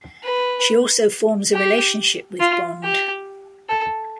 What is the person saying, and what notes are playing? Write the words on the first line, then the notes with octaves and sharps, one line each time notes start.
She also forms a relationship with Bond.
B4
G4
F4
G4
A4